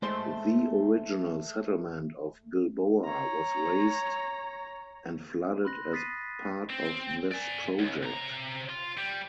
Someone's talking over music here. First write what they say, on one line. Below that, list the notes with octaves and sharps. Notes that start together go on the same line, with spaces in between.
The original settlement of Gilboa was razed and flooded as part of this project.
G#3 A3 C5 C6
C#5 A#5
B5 C6 F#6 A#6
D#6 A6 B6 C7 D#7
C4
D5 G#5
C#2
C3 A#5
F4
G3